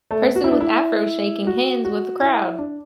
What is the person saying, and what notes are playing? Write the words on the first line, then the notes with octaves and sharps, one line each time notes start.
Person with afro shaking hands with crowd.
A3
B3
F#4
E4
D4
E4
F#4
F#4
E4
D4